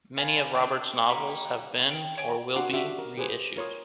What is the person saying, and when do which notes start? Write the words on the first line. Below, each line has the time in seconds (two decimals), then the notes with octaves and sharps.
Many of Roberts' novels have been, or will be, reissued.
0.17 B4 F5 G#5 A5
0.55 D4 G5
1.09 A#3 D#4 G4 B5
1.91 G5
2.17 C#5 G5 G#5
2.56 D4 F#4 F5 F#5 C6 D6
2.73 D4 F#4 G4 E5 F5
2.98 A#4
3.18 G4 G#4 B4 C5 G#5
3.56 F4 A#4 C#5 C6 D#6